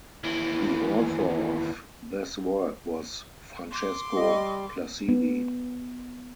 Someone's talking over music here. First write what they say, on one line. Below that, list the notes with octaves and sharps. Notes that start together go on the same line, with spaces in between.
The author of this work was Francesco Placidi.
D#2 E3
C6 D6
G3 D#5
B3